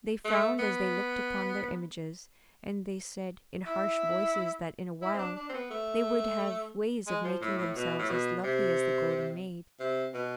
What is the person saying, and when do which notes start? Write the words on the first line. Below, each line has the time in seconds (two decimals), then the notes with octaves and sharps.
They frowned as they looked upon their images, and they said in harsh voices that in a while they would have ways of making themselves as lovely as the Golden Maid.
0.25 A3
0.59 B3
3.66 E4
5.02 E4
5.14 C4
5.19 D4
5.36 D4
5.49 C4
5.54 B3
5.71 A3
7.07 G#3
7.24 F3
7.41 A2
7.58 A2
7.76 B2
7.99 A2
8.10 B2
8.44 C3
9.80 C3
10.14 B2